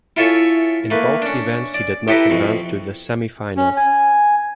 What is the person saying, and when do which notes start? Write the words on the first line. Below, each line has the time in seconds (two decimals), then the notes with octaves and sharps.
In both events he did not advance to the semifinals.
0.17 E4 F4 A4 C#5 E5 G#5
0.90 A3 A#3 B4
1.22 C#4 D4
1.74 D5
2.08 E4 G4 A4 B4 A5 A#5
2.30 F2 B2
3.57 C#4
3.77 G#5